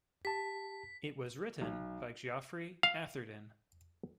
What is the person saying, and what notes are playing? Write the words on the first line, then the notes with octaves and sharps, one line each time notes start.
It was written by Geoffrey Atherden.
G4 A5 B6
B1
F5